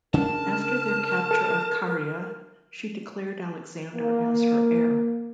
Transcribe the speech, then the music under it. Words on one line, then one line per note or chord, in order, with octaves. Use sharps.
After their capture of Caria, she declared Alexander as her heir.
C#3 C#4 D4 A#4 A5
A4
A#3